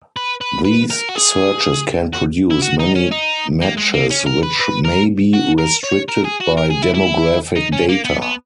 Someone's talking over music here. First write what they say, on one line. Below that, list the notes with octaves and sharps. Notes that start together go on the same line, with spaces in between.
These searches can produce many matches which may be restricted by demographic data.
B4
B4
B4
A#4
F#4
G#4
F#4
E4
F#4
D#4
C#4
D#4
A#3
G#3
A#3
C#4
A#4
B4
B4
A#4
F#4
A#4
C#5
A#4
G#4
F#4
A#4
G#4
E4
E4
D#4
C#4
A#3
B3
B3